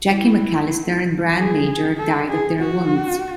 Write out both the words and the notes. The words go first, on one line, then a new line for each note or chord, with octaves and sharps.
Jackie McAllister and Brian Major died of their wounds.
E4
G#4
A4
G#4
F#4